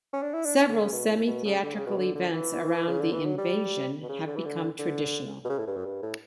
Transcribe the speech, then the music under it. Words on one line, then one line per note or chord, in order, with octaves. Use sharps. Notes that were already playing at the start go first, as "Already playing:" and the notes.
Several semi-theatrical events around the "invasion" have become traditional.
C#4
D4
E4
D4
C#4
D3
C#3
B2
A2
B2
C#3
D3
C#3
B2
D3
D3
E3
C#3
D3
E3
F#3
G3
B2
C#3
D3
E3
D3
D3
B2
C#3
A2
G2
F#2
G2
A2